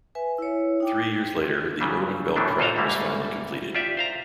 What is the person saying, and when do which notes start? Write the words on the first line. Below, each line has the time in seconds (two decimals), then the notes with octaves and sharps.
Three years later, the Irwin Belk Track was finally completed.
0.15 B4 E5 G#5
0.38 E4 C#5
0.80 D#4 G5 D6
1.81 C#3 F#3 G3
2.36 F#2 B2 D#3 E3 A3 D4
2.59 A#2 F4 A4 C5 F5 A#5
2.76 D2 G#2 G3 A3 A#3
3.75 F4 G4 D5 E5
3.97 C5 F5 A#5